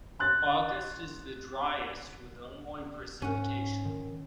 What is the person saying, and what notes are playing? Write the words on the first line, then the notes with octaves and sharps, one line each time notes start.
August is the driest with only precipitation.
C6 F#6 A6
G#2 C#4 F#5
D#3